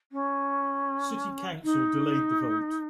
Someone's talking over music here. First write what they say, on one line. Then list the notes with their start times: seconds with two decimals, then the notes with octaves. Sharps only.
City council delayed the vote.
0.12 C#4
1.63 D#4